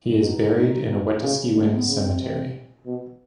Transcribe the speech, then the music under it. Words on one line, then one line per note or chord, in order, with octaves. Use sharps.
He is buried in a Wetaskiwin cemetery.
E4
B2 D#4
A2
B2
C#3
A#3
D3 A3
C4
B3
C#3
C4
C3
B2